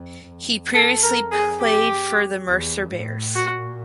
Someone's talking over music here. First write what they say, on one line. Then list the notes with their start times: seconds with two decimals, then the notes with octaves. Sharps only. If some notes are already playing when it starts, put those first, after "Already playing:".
He previously played for the Mercer Bears.
Already playing: F2
0.30 F2
0.74 A4
1.03 A#4
1.31 G#4
1.60 G4
2.48 E2
2.92 A2
3.35 A#2 F#4